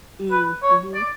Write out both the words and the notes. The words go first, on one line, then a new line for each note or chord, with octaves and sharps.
Mm, mhm.
B4
C#5
D5